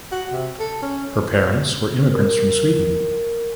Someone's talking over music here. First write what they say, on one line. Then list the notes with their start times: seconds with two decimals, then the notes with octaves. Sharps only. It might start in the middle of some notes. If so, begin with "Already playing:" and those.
Her parents were immigrants from Sweden.
0.12 F#4
0.32 C3
0.59 A4
0.82 C#4
2.11 A#4